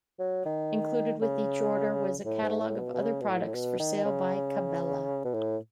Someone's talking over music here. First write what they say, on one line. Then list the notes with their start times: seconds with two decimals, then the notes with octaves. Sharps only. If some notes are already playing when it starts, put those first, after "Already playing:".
Included with each order was a catalog of other products for sale by Cabela.
0.19 F#3
0.46 D#3
1.22 C#3
2.25 A2
2.43 G#2
2.60 A2
2.77 B2
2.94 B2
3.02 C#3
3.21 B2
3.28 A2
3.54 B2
3.79 D#3
4.05 C#3
5.24 B2
5.34 A2